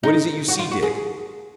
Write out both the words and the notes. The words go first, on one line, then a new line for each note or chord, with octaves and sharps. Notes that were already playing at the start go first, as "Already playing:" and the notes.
"What is it you see, Dick?"
D#4
F#4
F4
F#4
G#4